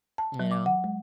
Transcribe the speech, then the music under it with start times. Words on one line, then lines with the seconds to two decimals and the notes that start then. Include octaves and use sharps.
You know?
0.18 A5
0.40 F#3
0.51 D6
0.66 F#5
0.84 G#3